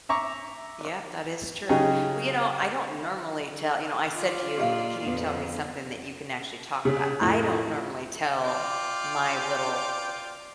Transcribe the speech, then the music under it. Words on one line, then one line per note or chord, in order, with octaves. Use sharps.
Yep, that is true. Well, you know, I don't normally tell you know, I said to you, "Can you tell me something that you can actually talk about?" I don't normally tell my little
E5 A#5 C#6 D6
C#3 F#3 D#4 G4 G#4
F4 D5
A#2 G4 D#5 F5
F2 D3 B3 D4
C#3
F2 A2
F4 D5 G5